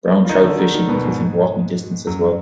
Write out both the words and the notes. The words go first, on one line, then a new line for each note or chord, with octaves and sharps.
Brown trout fishing is within walking distance as well.
F4
D#3 D#4
D3 D4
D#3 D#4
D#3 D#4
B2 B3
G#2 G#3
F#2 F#3